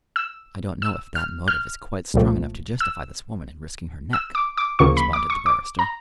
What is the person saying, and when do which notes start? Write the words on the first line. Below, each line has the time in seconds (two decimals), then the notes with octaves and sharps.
"I don't know if that motive is quite strong enough to justify this woman in risking her neck," responded the barrister.
0.16 E6
0.82 E6
1.15 F6
1.48 F6
2.14 C2 A#2 F3 A3
2.80 E6
4.13 E6
4.35 D6
4.57 D6
4.79 D2 C#3 F3 A#3 C#6
4.97 B5
5.13 D6
5.30 C#6
5.46 D6
5.79 A#5